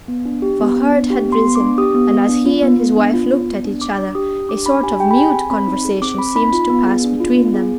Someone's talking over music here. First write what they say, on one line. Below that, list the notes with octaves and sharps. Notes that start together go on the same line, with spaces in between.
For Hurd had risen, and as he and his wife looked at each other a sort of mute conversation seemed to pass between them.
B3
D4
G4
B3
B3
D4
G4
B3
C6
B3
D6
D4
G4 D#6
B3
B3
D4
F4
B3
B3
D4
F4
B3
B3
D4
D4 D6
D4
G4 D#6
G4
D4 D6
D4 B5
G4 G#5
G4 G5
B5
G#4 G#5
C4
C4 B5
D#4
G#4
C4 D6
C4 B5
D#4 B5
F4
B3
G#4
D4
F4
B3
G#4